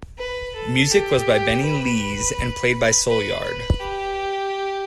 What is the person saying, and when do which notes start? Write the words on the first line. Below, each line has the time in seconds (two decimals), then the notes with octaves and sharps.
Music was by Benni Lees, and played by Soulyard.
0.18 B4
0.55 A4
0.91 G4
1.63 B4
3.08 B4
3.44 B4
3.80 G4